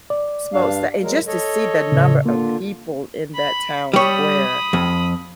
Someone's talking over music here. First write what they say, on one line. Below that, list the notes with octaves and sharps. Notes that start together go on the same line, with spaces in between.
smo that and just to see the number of people in that town square.
D5
G2 D4 F5
F#3 G#3 A#4
A4 C#5 D#5
A2 C#3
D3 A#3 F4
B5
G3 C#5 B5 D#6
F2